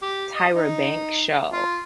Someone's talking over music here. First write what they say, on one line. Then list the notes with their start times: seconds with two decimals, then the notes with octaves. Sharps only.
Tyra Banks' show
0.02 G4
0.35 D#5
0.55 D#4
1.53 F4